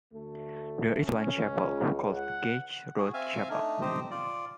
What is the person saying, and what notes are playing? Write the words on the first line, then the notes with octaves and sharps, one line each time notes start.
There is one chapel, called Gage Road Chapel.
D2 A3
C#4
C#2
F#5
F#4 G#4
C4 E5 F5 G#5
A3 D4 D#4
C4 D#4 G4 C5 D#5
F4 D5